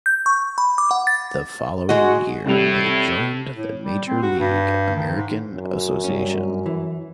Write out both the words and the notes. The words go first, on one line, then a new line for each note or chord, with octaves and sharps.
The following year, they joined the major league American Association.
G6
C#6
B5
D6
F#5
A6
G#3 F#4 D#5
A2 C3 G3 F7
A2
G3
C4
F#4
G2
D#3
G#2
F#2
G2 C#4
E3